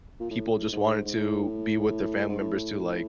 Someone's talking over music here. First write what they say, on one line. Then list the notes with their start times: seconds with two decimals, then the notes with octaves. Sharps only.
people just wanted to be with their family members to, like
0.20 A#2
0.31 A2
0.72 G#2
1.05 G#2
1.14 A2
2.29 G#2
2.40 A2